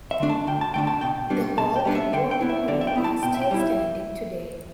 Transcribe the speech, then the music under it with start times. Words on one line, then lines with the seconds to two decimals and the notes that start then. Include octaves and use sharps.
The Hall and war memorial are still standing today.
0.11 E5
0.20 D3 A3 D4
0.29 A5
0.47 D2 G5
0.61 A5
0.74 D3 A3 D4 G5
0.87 A5
1.01 B2 G5
1.30 G3 B3 D4
1.58 B2 A5
1.76 G5
1.85 G3 B3 D4
1.95 E5
2.13 D3 G5
2.31 G5
2.41 B3 E4
2.49 E5
2.68 D3 D5
2.81 E5
2.87 G5
2.96 B3 E4
3.04 A5
3.23 B2 G5
3.34 E5
3.42 G5
3.51 G3 E4
3.60 E5